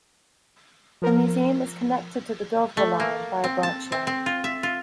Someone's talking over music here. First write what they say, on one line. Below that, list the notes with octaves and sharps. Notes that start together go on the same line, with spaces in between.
The museum is connected to the Dovre Line by a branch line.
F3 A#4
A3
A#3
C4
A5
C4
C4
F4
E5
F4